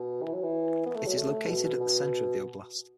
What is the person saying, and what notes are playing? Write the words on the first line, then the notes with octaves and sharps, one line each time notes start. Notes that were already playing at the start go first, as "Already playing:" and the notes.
It is located in the center of the oblast.
Already playing: B2
E3
F#3
E3
B3
A3
F#3
A3
B2
B2
B2